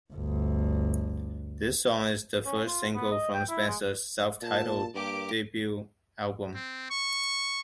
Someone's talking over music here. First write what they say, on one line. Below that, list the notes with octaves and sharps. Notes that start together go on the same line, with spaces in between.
This song is the first single from Spencer's self-titled debut album.
G1 D2
C#4
F4
B3
D#5
G5
E4
G#3
A#2 A5
G2 A#3 G4 D6
C4
C#6